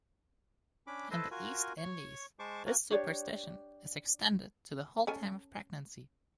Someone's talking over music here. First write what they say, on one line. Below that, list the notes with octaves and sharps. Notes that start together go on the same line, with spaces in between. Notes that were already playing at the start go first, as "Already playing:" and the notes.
In the East Indies this superstition is extended to the whole time of pregnancy.
C#4 D4 B5 D6
E4 A4 B4 C5 D#5
F4 F#4 A#4 G#5
C#5 C#6
G#3 C5 A5 C#6 D6
A#3 F#4 A#4 G#5
D4 G4 C#5 D5
C#4 A4 G#5